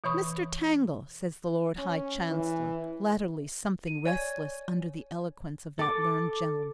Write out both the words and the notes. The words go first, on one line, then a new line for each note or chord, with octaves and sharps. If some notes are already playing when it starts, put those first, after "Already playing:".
"Mr. Tangle," says the Lord High Chancellor, latterly something restless under the eloquence of that learned gentleman.
B2 E3 C#5 B5 C#6 D#6
C#4
E3
D#7
C#5 D5 G#5 G#6
A4 D6